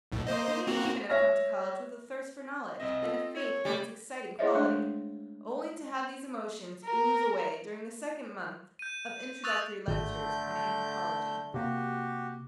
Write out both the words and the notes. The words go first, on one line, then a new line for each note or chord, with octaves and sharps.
He may even have come to college with a thirst for knowledge and a faith in its exciting quality, only to have these emotions ooze away during the second month of introductory lectures on anthropology.
B1 A2
A#3 C5 D#5
A#3 C4 F#4
C#5 E5 F6 A#6
C2 C4 D#5 E5
C4 F4 A4
C#5
C#3 G3 G#3
E4 G#4 C5 C#5 D#5 E5
G#3 A3 D4
A#4
G6 D#7
C#6 D#6 E6 F#6 A6 F7
G#1 D3 A3 G6
C3 A#3 F#4 G4